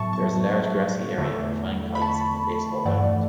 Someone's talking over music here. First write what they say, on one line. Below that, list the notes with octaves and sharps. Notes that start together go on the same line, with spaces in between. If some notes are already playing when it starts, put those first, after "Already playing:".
There is a large grassy area for flying kites and a baseball diamond.
Already playing: A2 F#3 B3 E5 A5 C#6
A5 C#6
E2 D3 A3
B5
A5 C#6
G2 E3 A3 D5 F#5